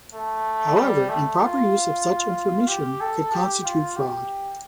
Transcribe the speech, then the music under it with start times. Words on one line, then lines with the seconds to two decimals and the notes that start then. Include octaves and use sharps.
However, improper use of such information could constitute fraud.
0.14 A3
0.77 G3
1.09 A3
1.41 F4
2.68 G4
3.01 A4
3.32 G4
3.64 F4
3.96 G4